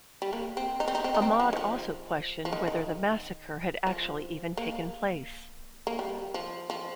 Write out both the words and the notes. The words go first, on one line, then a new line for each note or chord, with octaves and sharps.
Ahmad also questioned whether the massacre had actually even taken place.
G3
A#3
C4
D#4
C4
D#4
C4
D#4
C4
F3
D#3
F3
F3
D#3
D#3
F3
A#3
A#3
G3
F3
F3